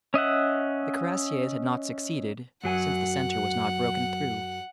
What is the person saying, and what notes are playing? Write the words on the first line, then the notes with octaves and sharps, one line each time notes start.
The cuirassiers had not succeeded, since the centre was not broken through.
C#4 D#5 E5 F#5
F#2 F#3 F#5 G#5